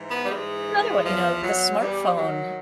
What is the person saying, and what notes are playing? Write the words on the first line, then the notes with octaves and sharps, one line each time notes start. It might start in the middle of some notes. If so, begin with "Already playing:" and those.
another one, you know, the smartphone,
Already playing: G#2 E3
B3
G3
G#2 G#3
E3
E2 F3
E2 F#3
E2 G3
D#3 F#3